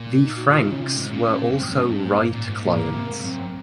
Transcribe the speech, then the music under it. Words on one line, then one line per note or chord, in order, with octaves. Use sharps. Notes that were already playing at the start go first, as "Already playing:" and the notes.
The Franks were also Wright clients.
Already playing: A#2
D#4
F#4
D#3 F4
C3 D#4
C#3 C#4
C3
G#2
A#2 C#4
C#4
C4
F2
F#2
G#2 C#4
C4
A#3
A#2
G#2
A#2 A#3
G#2
C3
C#3
C3
G#2
F#2 C4